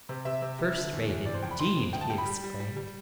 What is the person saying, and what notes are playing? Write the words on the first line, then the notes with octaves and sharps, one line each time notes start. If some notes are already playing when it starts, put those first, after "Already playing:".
'First rate, indeed!' he exclaimed.
C3
C3 E5
C3
G3
D3
E2
E2
C3 D5
C5
F2 G5
B5
C3 C6
F2
D2 G5
A5
G3 G5
B5
G3
G3
G3
G3